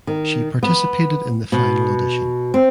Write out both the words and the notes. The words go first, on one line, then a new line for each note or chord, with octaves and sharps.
She participated in the final audition.
D#3
B3
B2
C4